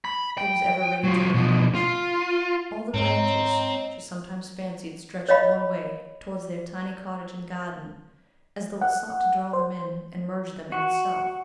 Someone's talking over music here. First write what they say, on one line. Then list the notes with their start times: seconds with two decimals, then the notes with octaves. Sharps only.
It was ever ready to encroach. All the branches, she sometimes fancied, stretched one way--towards their tiny cottage and garden, as though it sought to draw them in and merge them in itself.
0.05 B5
0.38 G5
1.04 F#3 F4
1.34 B2 F3
1.75 F4
2.94 G#2 C4 C#5 D#5 A#5
5.29 C#5 D#5 F5 B5
8.81 F#5
9.53 C5
10.72 F#4